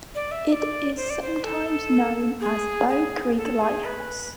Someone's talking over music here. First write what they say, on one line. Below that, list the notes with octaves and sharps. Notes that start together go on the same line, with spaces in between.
It is sometimes known as Bow Creek Lighthouse.
D5
E5
E5
D5
C5
D5
C5
A4
G#4
G#4
A4
G#4
B4